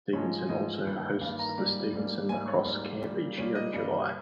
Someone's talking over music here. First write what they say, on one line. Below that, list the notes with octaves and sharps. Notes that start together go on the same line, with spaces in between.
Stevenson also hosts the Stevenson Lacrosse Camp each year in July.
G#2 F3 G#3 C#5
G#2 F3 G#3 D#5
G2 D#3 A#3
G2 D#3 A#3 F5
A#5
G#2 G3 A#3
G#2 G3 A#3
G#2 G3 A#3 G#5
C#5
G#2 G3 A#3
A#2 G3 A#3
A#2 G3 A#3 C#5
D#5
G2 G3 A#3